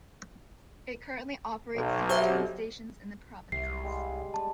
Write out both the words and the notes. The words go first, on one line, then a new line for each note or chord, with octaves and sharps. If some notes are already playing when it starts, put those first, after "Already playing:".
It currently operates sixteen stations in the provinces.
B1
G4 C5 E5
C2 C3 C7
G3 G#3
D5 A5